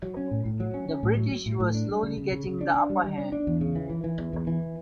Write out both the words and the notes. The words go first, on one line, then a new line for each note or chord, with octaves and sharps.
The British were slowly getting the upper hand.
F#3
C#4
A2
A2
F#3
C#4
C#4
A2
F#3
F#3
A2
A2
D4
G3
C#3
C#3
C#3
C#3
D4
D4
G3
G3
D4
D4
E2
C#3
E3
E3
E3
E2
E2
E3